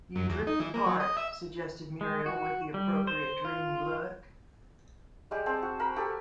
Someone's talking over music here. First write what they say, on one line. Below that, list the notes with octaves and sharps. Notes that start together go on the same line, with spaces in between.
"You drift apart," suggested Muriel with the appropriate dreamy look.
F#2
E2
D#4
E3
A#3
F#3
D#5
E5
G#3
F#4
G3
C5
F4
G3 G#3 G4
C4 G#4 C5 A5
F#4
A#4 B5
G4 A4 G#5